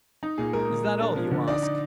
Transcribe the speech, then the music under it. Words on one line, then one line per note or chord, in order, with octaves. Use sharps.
"Is that all you ask?"
D#4
A#2 G#4
G#3 A#4
A#2
G#3
D4
F3
D3
D#4 D5
D#4